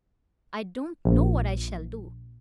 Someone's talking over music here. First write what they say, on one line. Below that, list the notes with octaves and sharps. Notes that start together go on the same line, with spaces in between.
I don't know what I shall do.
A#1